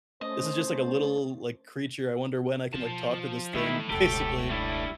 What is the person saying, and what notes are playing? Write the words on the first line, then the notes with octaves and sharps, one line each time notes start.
"this is just, like, a little, like, creature, I wonder when I can, like, talk to this thing," basically.
A3 C#4 C5 D#5 A6
B2 F3 A5
A2 D#3 G#3 E4
E1 C#2 G4 A4 G5
G3 D4 E4